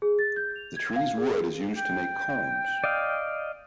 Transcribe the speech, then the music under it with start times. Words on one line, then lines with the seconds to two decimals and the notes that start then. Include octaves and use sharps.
The tree's wood is used to make combs.
0.02 G#4
0.19 A6
0.36 G6
0.56 F7
0.76 G#6
0.96 F5
1.18 G#4
1.77 G5
2.84 D5 D#5 F5